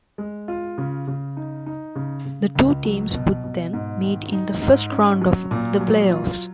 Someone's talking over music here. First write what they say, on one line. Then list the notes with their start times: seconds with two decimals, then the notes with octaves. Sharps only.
The two teams would then meet in the first round of the playoffs.
0.18 G#3
0.48 F4
0.78 C#3
1.07 C#3
1.37 D#4
1.66 D#4
1.95 C#3
2.25 C#3
2.55 C#2
2.85 F#3
3.14 B2
3.44 B2
3.73 G#2
4.03 D#3
4.32 D#4
4.62 G#2
4.92 C#4
5.21 F#3
5.51 A#2
5.81 F#3
6.10 F4